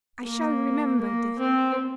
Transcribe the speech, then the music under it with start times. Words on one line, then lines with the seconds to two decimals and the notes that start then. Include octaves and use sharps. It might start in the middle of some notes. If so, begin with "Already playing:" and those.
I shall remember this.
0.24 A#3
0.99 A#3
1.38 C4